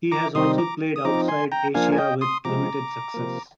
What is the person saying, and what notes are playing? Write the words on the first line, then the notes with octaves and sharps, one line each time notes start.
He has also played outside Asia with limited success.
A#5 D6
C3 D#3 G3 C4 D#4 C6 D#6
A#5 D6
D#6
F3 C4 D#4 A#5 D6
G#5 C6
G5 A#5
F3 A#3 D4 F5 G#5
G#5
D#5 G5
C6 D#6
C3 F3 G#3 A#5 D6
C3 F3 A#3